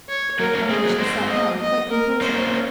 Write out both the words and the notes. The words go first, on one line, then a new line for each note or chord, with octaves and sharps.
On which he sat down quite composedly.
C#5
F#3 A#3 A#4
A#3 C#4
G#3 C4 G#4
F#3 A#3
G#3 C4 C5
D#5
D#5
A#4
A#3 C#4 C5